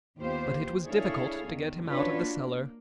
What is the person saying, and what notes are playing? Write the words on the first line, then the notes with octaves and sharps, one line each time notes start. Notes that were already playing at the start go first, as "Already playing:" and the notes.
But it was difficult to get him out of the cellar.
D#2 B3 F4 G4 C5 F5
D4 E4 G#4 A4 C#5 F5
E2 D#3
C#4 D4 F4 F#4 B4 C#5
A#3